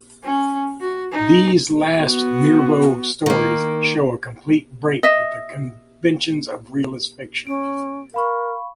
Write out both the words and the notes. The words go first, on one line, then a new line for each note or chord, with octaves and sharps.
These last Mirbeau stories show a complete break with the conventions of realist fiction.
C#4
F#4
D#4
B3 F#4
D#3 A#3
D#5 E5
C#4 D7
A#4 F5 B5 C#6